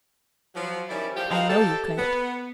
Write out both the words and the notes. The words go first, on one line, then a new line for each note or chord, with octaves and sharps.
"I know you could."
F3 F#3
D#3 G3 C#4 E4 D5
A2 F3 G4
F3 A3 C4 D#4 B4 F5
G4 A4
B3